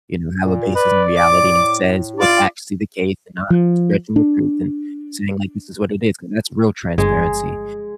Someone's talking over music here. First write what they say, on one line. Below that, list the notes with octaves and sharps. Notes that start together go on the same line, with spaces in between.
you know, have a basis in reality and says what's actually the case and not stretching the truth and saying like, "This is what it is," 'cause that's real transparency.
A#2
B4 D5
A2 D6
F4 D5
F3
D4
G1 G#3 G#4